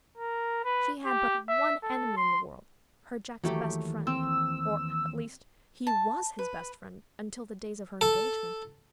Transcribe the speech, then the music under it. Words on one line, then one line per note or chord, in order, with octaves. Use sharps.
She had but one enemy in the world, her Jack's best friend, or at least, he was his best friend until the days of her engagement.
A#4
B4
G4
E5
A4
C6
D#2 E3 F#3 A3 G4
C4 E6
A5
B4
A4 A5